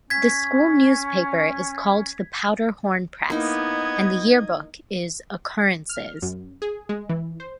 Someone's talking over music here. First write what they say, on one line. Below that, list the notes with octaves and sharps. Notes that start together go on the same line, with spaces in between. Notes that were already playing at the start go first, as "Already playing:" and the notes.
The school newspaper is called the "Powder Horn Press" and the yearbook is "Occurrences".
C#4 G#6 B6
A#3 B3 D#4 E4 D#5 G#6
F6
F#2
G#4
G#3
E3
C5